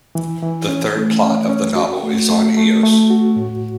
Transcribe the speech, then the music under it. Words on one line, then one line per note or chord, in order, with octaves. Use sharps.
The third plot of the novel is on Eos.
E3
E3
C#4
A3
C#4
C#4
F#4
A3
A3
A3
A3
F#4
A2